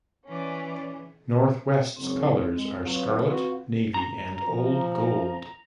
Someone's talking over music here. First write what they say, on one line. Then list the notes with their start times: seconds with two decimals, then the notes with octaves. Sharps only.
Northwest's colors are scarlet, navy, and old gold.
0.29 E3 C#4 D5
1.96 F#1 G#2 C#3 F#3 C4
2.56 G#3
2.84 F#3 F4 B4
3.30 F#4
3.94 A#5
4.48 F3